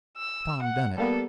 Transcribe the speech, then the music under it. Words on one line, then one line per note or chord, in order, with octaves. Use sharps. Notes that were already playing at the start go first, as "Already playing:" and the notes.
Tom done it.
E6
F#5
G3 A#3 B3 A4